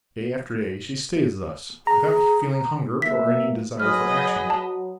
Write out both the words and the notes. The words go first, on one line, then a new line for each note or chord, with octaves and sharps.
Day after day she stays thus, without feeling hunger, or any desire for action.
G#4 A#5
E3 F#3 A#3 E5 B6
F#3 G#4 B4 D#5 F6
F#3 A5